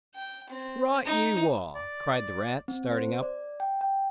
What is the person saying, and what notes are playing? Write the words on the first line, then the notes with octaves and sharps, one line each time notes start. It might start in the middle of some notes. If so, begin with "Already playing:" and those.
'Right you are!' cried the Rat, starting up.
G5
C4
D#4
D5
C4
C5
D5
G5
G5